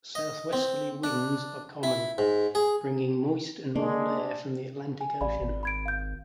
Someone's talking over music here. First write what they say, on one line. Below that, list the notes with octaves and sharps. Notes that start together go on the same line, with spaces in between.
Southwesterly winds are common, bringing moist and mild air from the Atlantic Ocean.
D#5
C4
D4
E4
G#2
G#4
G#3 A#3 D4
G#5
A1 D5 F5 B5
G#1
B5 G#6 D7
F5 G6